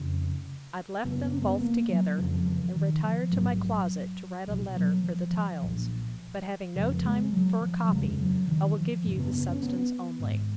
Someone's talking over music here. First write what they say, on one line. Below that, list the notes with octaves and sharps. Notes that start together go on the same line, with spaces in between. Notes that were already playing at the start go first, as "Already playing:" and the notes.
I left them both together, and retired to my closet to write a letter for the tiles; but having no time for a copy, I will give you the substance only.
Already playing: F1 F2 C#3
F#1 F#2 C#3 B3
C#4
B3
A#3
F#3
F#1 F2 C#3 F3
F3
F3
D#3
F3
A#1 G#2 F#3
B1 B2
F#3
F3
F3
B1 A#2
F1 F2 C#3 F3
G#3
F#3
F3
F#3
F1 D#2 C#3 G#3
F#3
D#3
F3
G#1 F#2 C#3 F3
B3
B3
C#4
B3
G#1 G#2